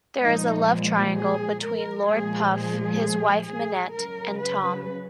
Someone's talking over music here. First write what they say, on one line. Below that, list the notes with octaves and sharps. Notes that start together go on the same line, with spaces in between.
There is a love triangle between Lord Puff, his wife Minette, and Tom.
A#2 F3 G#3 D#4
A#3
G#4
A#4
A#2 F3 G#3 G#4
G#4
G#4
C#3 F#3 A#4
B4